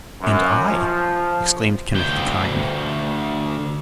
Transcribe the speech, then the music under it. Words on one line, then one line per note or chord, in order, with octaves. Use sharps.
"And I," exclaimed Kenneth the Kind.
F#2
F3
D2 G5